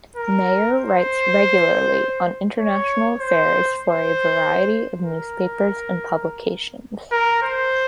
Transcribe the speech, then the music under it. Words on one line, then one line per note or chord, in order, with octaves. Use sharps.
Meyer writes regularly on international affairs for a variety of newspapers and publications.
A#4
C5
C#5
C5
C5
A#4
A#4
C5